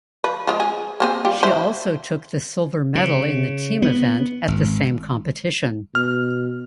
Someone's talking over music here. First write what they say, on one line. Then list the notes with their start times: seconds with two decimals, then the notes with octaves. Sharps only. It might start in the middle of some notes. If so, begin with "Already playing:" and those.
She also took the silver medal in the team event at the same competition.
0.24 F3 B4
0.47 F3 G#3 F4
0.60 G#4
1.00 A#3 C4 G#4
1.25 G3 F4 G4
1.43 E4 C5
2.95 C#3
3.82 B3
4.48 G#1
5.95 B2 F6